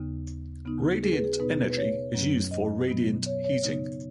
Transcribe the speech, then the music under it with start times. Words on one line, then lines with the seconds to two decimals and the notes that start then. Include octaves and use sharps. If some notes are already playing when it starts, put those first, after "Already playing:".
Radiant energy is used for radiant heating.
Already playing: D#2 C#3 B3 D#4
0.65 C#3 B3 D#4
1.03 G#4
1.13 B4
1.24 G#4
1.40 B2 B3 D#4 B4
1.70 B4
1.77 C#5
2.14 F#2 F#3 C#4
2.51 D#5
2.88 B2 F#3 B3
3.26 C#5
3.44 C#5
3.63 C#3 B3 D#4